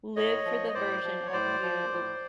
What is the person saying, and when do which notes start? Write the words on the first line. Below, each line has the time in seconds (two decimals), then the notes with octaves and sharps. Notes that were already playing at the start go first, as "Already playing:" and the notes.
"Live for the version of you
0.16 A2 C#5 D#5
0.45 F3
0.68 D#5
0.75 A2 C5 D5
1.04 F3
1.26 C#5
1.33 A2 C5 D5
1.62 F3
1.92 A2